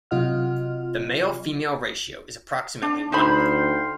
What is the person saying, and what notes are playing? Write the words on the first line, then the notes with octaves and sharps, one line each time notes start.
The male:female ratio is approximately one.
C3 F#3 F4 D#5 F#5 F6
D4
D2 D#4 C5 F5 G5 B5 C6